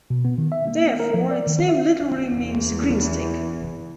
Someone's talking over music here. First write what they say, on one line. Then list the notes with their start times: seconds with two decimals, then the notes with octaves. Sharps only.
Therefore, its name literally means green stick.
0.10 B2
0.25 B3
0.38 D#3
0.52 E5
0.67 A#3
0.83 B3
1.00 A#4
1.14 F3
1.31 D5
1.47 D#3
1.68 E5
2.28 E2 E3